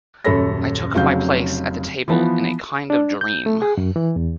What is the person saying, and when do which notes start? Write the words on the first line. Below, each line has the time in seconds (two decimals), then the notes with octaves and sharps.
I took my place at the table in a kind of dream.
0.24 D#1 F#2 A4 C#5 B5 A#6
0.95 F1 C#3 F#3 G#4 F5 G6
2.08 E3 F3 B3
2.90 D4
3.21 G6
3.46 A3
3.62 G#4
3.77 F#2
3.96 E3
4.16 E2